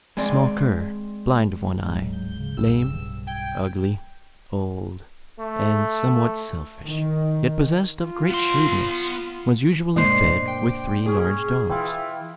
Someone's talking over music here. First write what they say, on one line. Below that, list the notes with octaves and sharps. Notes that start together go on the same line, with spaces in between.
A small cur, blind of one eye, lame, ugly, old, and somewhat selfish, yet possessed of great shrewdness, was usually fed with three large dogs.
G#3 C4 D5
D1 G#2 F#3
G6
C#3
F1 B1 G2 E6
G5 G#6
A3
D#3
F4
B3 C6
G2 B2 G#3 A#3 D4 C5
G5
C#4 G#4
E3 E4 F4 G5